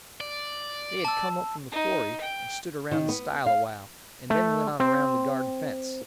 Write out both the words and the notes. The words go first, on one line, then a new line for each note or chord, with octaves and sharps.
They had come up from the quarry and stood around the stile a while, and then went on around the garden fence.
D5
A5 E6
D#4
G5
D#3
B3
F5
A3
C4